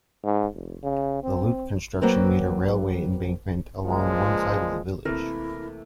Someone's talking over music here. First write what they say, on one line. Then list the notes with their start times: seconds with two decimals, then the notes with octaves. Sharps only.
The loop construction made a railway embankment along one side of the village.
0.24 G#2
0.54 F1
0.83 C#3
1.23 C4
2.01 F#3 A#3 C4 B4
3.86 C#2 A#2 F3 G#3
5.05 C3 E3 A3 A#3 E4 A#4